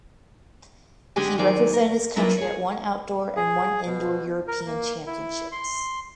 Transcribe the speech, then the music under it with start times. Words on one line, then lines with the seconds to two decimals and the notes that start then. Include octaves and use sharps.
He represented his country at one outdoor and one indoor European Championships.
1.16 D3 G#3 B3 D4 G4 G#5
1.38 D#3 F#3 E4 C5 D5 G#5
1.73 A#4
2.16 F#3 A#3 D4 E4 F4 B4
2.38 G#4 C#5
3.36 G#4
3.86 B2
4.48 A#4
4.66 A#3
5.06 E4
5.52 C6